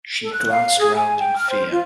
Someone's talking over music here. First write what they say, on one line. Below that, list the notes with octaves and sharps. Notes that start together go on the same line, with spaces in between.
She glanced round in fear.
A4
F#6
F5
G#4
G#5
G5
F6
C5
F4